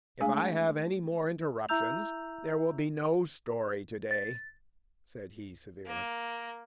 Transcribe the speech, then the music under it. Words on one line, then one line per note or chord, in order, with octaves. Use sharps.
"If I have any more interruptions, there will be no story to-day" said he severely.
G#3 A3 D4 G#4 F5 G#5
E4 E5 A#5 E6 G6 F7
A6
A#3